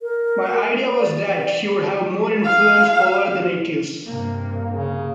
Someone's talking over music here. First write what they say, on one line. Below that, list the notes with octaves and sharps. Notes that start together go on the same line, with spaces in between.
My idea was that he would have more influence over the natives.
A#4
D5
F5
G2 C3 A#3
C#3